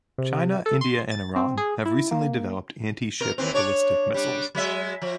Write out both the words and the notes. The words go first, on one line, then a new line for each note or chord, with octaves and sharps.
China, India and Iran have recently developed anti-ship ballistic missiles.
C3
A4
C6
A6
C4
G#4
E4
A#3
B2 A#4
D#2 E3 C4
D4 C#5 D5
G3 D4
F#3 G#3 E5
F3